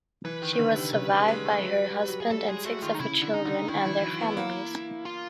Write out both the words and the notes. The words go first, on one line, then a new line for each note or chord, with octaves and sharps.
She was survived by her husband, and six of her children and their families.
E3 B4
D#3
D#3
D3
C3
C#3 B4
G3
G#3
A3
F#3
G3
G3
F#3
G#4
G3 A4
G#3 G#4
A3 F#4
D#3 F4
D#4
C#3 E4
D3
D#4
D3
D#3 E4
E3
F#3
B3
A#3
F4